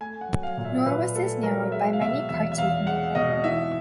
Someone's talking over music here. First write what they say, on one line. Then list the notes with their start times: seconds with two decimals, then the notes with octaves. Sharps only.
Nor was this narrowed by many partaking of it.
0.01 A3 G#5
0.21 F#5
0.29 F#3
0.43 F5
0.57 A#2
0.65 E5
0.86 A#2 B4
1.14 A3 A4
1.43 F#3 A#4
1.72 G#3 E5
1.93 F5
2.00 B2 E5
2.29 E2 E5
2.52 E5
2.58 E2 F5
2.87 G#3 F#5
3.15 B2 D#5
3.44 E3 E5